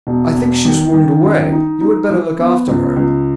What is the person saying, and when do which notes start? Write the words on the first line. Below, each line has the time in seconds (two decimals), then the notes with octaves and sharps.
'I think she swooned away; you had better look after her.'
0.07 E1
0.35 E2
0.65 D#3
0.94 D#3
1.22 F#2
1.52 D#4
1.81 D#4
2.10 E3
2.39 B3
2.68 C#2
2.96 C#2